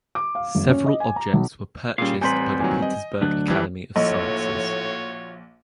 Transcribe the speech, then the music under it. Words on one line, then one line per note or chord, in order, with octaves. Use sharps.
Several objects were purchased by the Petersburg Academy of Sciences.
D6
F5
F#1
C#4
D#5
G#5
A#5
B1
A#2 G3 C#4 G#4 F5
A1 G3 C4 B4 G#5 A#5 C6 G6
A#2 D#3 F#3 G#5
D#5
D2 F#3 D4 F#6
F2 E3 G3
A#1 A2 F4 F#4 C#5 D#5